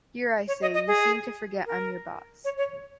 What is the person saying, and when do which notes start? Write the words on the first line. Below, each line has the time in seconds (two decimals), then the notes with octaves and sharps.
Here, I say, you seem to forget I’m your boss.
0.48 C#5
0.62 D#5
0.74 D#5
0.87 G#4
1.66 A#4
2.44 C#5
2.57 C#5